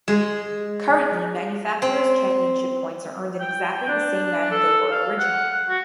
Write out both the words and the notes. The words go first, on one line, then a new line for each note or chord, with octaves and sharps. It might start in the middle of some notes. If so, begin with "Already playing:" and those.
Currently, Manufacturers' Championship points are earned in exactly the same manner they were originally.
G#3
C4
G5
D4
A4
F5
F#5
F#4